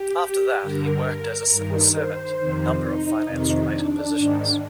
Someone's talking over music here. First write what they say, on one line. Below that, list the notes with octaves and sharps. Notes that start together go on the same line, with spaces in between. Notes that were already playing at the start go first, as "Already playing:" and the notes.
After that he worked as a civil servant in a number of finance-related positions.
Already playing: G4
G2 D3 A#4
G2 D#3
C5
F2 C3 D#3
D#4
F2 C3 D#3
D4
G#2 D#3 D4